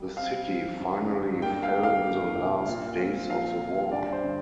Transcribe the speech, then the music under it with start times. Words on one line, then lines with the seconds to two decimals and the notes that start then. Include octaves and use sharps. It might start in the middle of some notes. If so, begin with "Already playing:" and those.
The city finally fell in the last days of the war.
Already playing: G3
0.17 C4 F5
0.48 F3
0.80 G2
1.10 G2
1.42 A#3 G5
1.63 F5
1.74 A#3
1.83 F5
2.05 A#3
2.36 C3
2.67 A#2
2.98 C4
3.30 F3 F5
3.61 F3
3.92 G2 D5
4.13 C5
4.23 D3